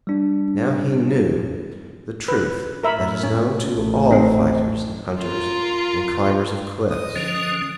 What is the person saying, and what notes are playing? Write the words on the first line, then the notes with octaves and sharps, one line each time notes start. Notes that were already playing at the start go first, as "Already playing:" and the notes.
Now he knew the truth that is known to all fighters, and hunters, and climbers of cliffs.
G3 D4
B4
A2 A#4 E5 B5
C#4
A1 A3
C4 D#4
F4 A#4
D#5 D#6
D3 F3 C#4